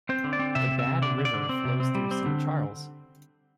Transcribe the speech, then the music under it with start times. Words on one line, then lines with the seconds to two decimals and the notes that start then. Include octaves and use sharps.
The Bad River flows through Saint Charles.
0.09 C4 C5
0.24 D3
0.33 D5
0.39 C4
0.55 C3 E5
0.71 C3
0.79 E5
0.87 C3
1.02 D3 D5
1.18 D3
1.25 D5
1.34 D3
1.49 C4
1.65 C3
1.80 C4
1.95 G3
2.11 C4
2.26 D3